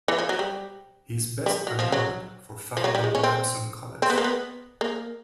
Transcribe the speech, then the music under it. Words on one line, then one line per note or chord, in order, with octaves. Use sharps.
He is best remembered for founding Babson College.
E3
F3
F#3
G3
G3
F#3
F3
F#3
F3
F#3
G3
G#3
C#4
C4
C4
B3
A#3
B3
A#3